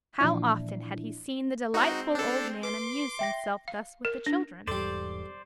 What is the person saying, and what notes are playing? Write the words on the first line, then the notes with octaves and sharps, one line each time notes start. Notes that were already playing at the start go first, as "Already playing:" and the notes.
How often had he seen the delightful old man amuse himself thus with the children!
A#2 E3 F3 D4 E4
G#3 C4 D#4 F#4
D4 A4
B4 C6 D6
E5 G5 A#6
F5
A#4
D4
E1 E2 G#2 G3 A4 C5 D5